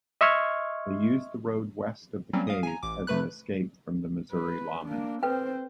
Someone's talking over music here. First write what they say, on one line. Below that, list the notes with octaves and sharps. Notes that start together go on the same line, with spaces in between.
They used the road west of the cave as an escape from Missouri lawmen.
D#5 E5 C6 C#6 F6 G#6
F#3 G3 A#3 C4 C#4
F5 D#6
G#5 A#5
A1 D6
C3 A3 B4 B5 F#6
B4
A#3 D4
C4 A4 B4 C5 G5